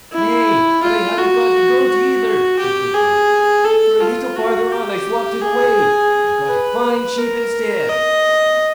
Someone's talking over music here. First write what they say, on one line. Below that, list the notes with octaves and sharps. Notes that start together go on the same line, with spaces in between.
'Nay, but I haven't got the goat either', said Gudbrand, 'for a little farther on I swopped it away, and got a fine sheep instead.'
E4
F4
F#4
F#4
G4
G#4
A4
F4
F#4
G4
G#4
B4
A#4
D#5